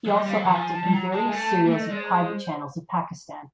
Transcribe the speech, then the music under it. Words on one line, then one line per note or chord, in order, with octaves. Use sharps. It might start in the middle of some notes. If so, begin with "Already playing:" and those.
He also acted in various serials of private channels of Pakistan.
F#3
G3 D#5
G3
F5
F#3
E3 F#5
F3 G#5
A5
G3
F#3 A#5
G#3 A5
G#3 G#5
A3
A5
A#3
A3 E5
D#5
G#3 D5
C5